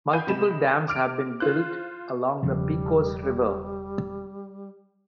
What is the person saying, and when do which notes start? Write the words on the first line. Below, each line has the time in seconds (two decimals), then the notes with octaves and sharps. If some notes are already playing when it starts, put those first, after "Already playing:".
Multiple dams have been built along the Pecos River.
0.13 F5 G5 G#5 B5 G6 D#7
0.27 C3 G#3 B5 E7
0.88 D6 F6 D7
1.40 F4 C5 F#6
2.43 E1 C#3 F3 G3